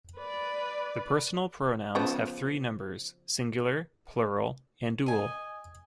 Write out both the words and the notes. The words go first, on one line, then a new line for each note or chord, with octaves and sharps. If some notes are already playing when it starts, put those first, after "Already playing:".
The personal pronouns have three numbers: singular, plural and dual.
B4 D5
C#3 F3 B3
D#5 G#5